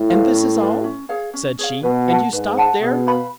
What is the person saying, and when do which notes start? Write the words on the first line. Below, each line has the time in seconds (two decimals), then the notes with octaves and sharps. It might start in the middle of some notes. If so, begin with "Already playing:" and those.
"And this is all?" said she; "and you stopped there?"
Already playing: A2
0.10 F4 B4 F5
0.34 C#4
0.60 F4 B4 F5
0.84 C#4
1.09 G#4 C#5 F5
1.34 C#4
1.59 G#4 C#5 F5
1.83 B2 B4
2.08 F#5 A5
2.33 G#2 B4
2.57 F#5 A5
2.82 B2 G#4
3.07 B4 F5 B5